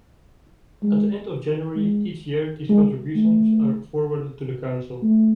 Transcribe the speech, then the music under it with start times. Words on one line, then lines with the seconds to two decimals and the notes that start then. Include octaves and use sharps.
At the end of January each year, these contributions are forwarded to the councils.
0.83 G#3
1.76 G#3
2.69 G#3
3.16 A3
5.03 A3